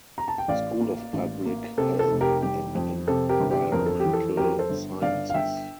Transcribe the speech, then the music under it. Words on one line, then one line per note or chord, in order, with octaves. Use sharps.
School of Public Health and Environmental Sciences.
A#5
A5
G5
A1 D5 F5
A#3
A1
A#3
C3 A4
A4
F1
G4 A#4
G3 G4
F2
C3 A4
G4 A#4
G1
G4
F2 A#4
A4
E3 G4
A4
F2 G4 A#4
A4 C5
G1
G1 D5 F5
F5
G1 E5 G5